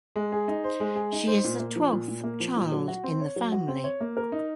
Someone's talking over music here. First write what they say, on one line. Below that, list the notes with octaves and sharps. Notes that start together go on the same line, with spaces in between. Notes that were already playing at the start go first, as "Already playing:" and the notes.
She is the twelfth child in the family.
G#3
G#4
D#4
C5
G#3
G#4
D#4
C5
A#2
A#3
F3
A#2
A#2
A#3
F3
A#2
F#3
F#4
C4
C#5
F#3
F#4
C4
C#5
A#3
A#4
D#4